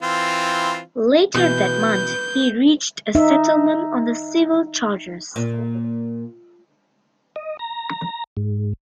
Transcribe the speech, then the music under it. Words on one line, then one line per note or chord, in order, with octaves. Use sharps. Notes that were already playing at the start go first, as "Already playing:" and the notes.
Later that month he reached a settlement on the civil charges.
E3 C4 F4
B2 E3 B4 G6
D#4 E5
A#2
D#5
A#5
G#2